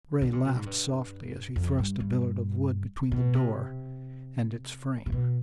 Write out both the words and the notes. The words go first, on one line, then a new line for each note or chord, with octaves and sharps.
Ray laughed softly as he thrust a billet of wood between the door and its frame.
D3
C3
B2
G#2
G2
F2
G2
G2
B2
C3
C3
B2